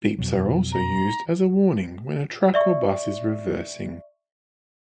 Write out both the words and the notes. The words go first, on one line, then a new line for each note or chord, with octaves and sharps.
Beeps are also used as a warning when a truck or bus is reversing.
F2 B2 F#3
A#5
D5 E5 C#6